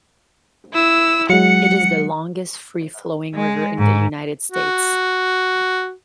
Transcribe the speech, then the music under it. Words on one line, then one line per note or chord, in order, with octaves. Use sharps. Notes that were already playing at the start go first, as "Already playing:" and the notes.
It is the longest free flowing river in the United States.
E4 E6
F#3 G#3 F#5 C#7
G#3
G#2
F#4